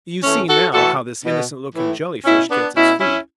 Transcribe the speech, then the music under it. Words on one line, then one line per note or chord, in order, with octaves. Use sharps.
You see now how this innocent-looking Jelly-fish gets its food.
A2 E3 A3 C#4
F#4 A4
A2 E3 F#4 A4
B2
A2 E3
B2 C#4 E4
B3 D4
B2 C#4 E4
C#4 E4